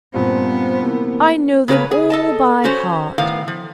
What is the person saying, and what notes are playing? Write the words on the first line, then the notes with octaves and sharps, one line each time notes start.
I know them all by heart.
G2 A#2 F3 B3 C4
C3 E3 A#3
C#3 A#3 F4 G#4 B4 C#5
G#4
A4 D#5 A5
C#4 F#4 C5 C#5
A2 D#3 B3 F5
F3